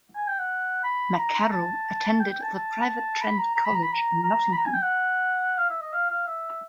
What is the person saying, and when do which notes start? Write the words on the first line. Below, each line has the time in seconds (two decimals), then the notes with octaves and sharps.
MacKerrell attended the private Trent College in Nottingham.
0.15 G#5
0.28 G5
0.39 F#5
0.84 B5
1.18 A#5
1.51 A5
2.20 G5
2.30 G5
2.42 A5
2.53 A5
3.21 B5
3.38 A#5
3.55 A#5
3.65 B5
3.74 A#5
3.83 B5
3.92 A#5
4.23 A#5
4.52 B5
4.57 A#5
4.65 G#5
4.73 G5
4.82 F#5
5.58 F5
5.69 E5
5.81 D#5
5.93 F5
6.09 F5
6.26 E5